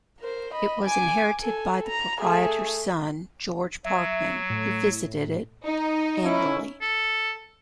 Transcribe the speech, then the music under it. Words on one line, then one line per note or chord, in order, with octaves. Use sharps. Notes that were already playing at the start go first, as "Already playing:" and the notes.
It was inherited by the proprietor's son, George Parkman, who visited it annually.
A#4 C5
D#5 B5
G#5 D6
A4 G#5
A#5
A3 G#4
F#3 E5
A2
D#4
C#4 E4
A4